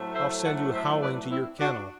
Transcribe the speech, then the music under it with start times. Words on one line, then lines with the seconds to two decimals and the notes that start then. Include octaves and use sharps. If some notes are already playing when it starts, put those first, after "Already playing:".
I'll send you howling to your kennel!
Already playing: A2 F#3 A3 C4
0.15 C5 E5
0.45 D5 F#5
0.73 C5 E5
1.02 B4 D5
1.31 C4 E4
1.60 D4 F#4